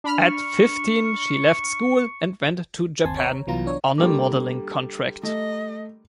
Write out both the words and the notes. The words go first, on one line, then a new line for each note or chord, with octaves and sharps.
At fifteen, she left school and went to Japan on a modeling contract.
D4 B5 F6
C#6
G1 D#2 C4 G#5 A5 C6
C#5 A#5
C2 E3 F#3 B3 F4 A#5
D4 C#5
D3 G3 A#3 G4 A4 D6
A3 D#5